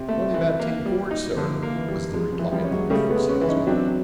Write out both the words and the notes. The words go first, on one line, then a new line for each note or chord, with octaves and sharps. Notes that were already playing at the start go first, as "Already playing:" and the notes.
"Only about ten cords, sir," was the reply of the youthful salesman.
Already playing: C3 C4
A3
E3
A#3
G3
D#4
D3 F3
A#3
E3
G3
F3 G#3
F3
E3
F3 G3
C#4
F#3 G#3
C#3 G3 A3
A3 B3
G#3
B3 C#4
E3
C#4 D#4
F#3 C4 D4